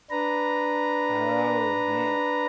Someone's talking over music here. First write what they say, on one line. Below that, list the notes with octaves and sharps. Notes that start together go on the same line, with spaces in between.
Oh, man.
D4 B4 A#5